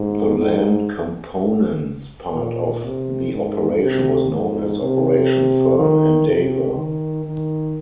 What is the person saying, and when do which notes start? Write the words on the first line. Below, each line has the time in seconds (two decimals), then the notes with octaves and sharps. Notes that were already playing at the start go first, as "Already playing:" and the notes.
The Land Component's part of the operation was known as Operation Firm Endeavour.
Already playing: G#2
0.39 G#2
2.35 A#2
2.84 C3
3.33 G#2
3.83 C3
4.31 G#2
4.81 C3
5.78 D#3
6.28 C3
6.76 D#3
7.25 D#3